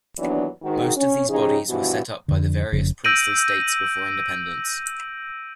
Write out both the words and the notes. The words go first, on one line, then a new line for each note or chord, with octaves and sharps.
Most of these bodies were set up by the various princely states before independence.
D#2 E3 F#3 B3 D4
G#2 D#3 F#4
C#4
C#3 F3 C#4 D#4 G4 G#4
G2 B2 E3 F3 F#4
F2 D3
F1 F2 C#3
E6 G6 A#6 D7 D#7 F#7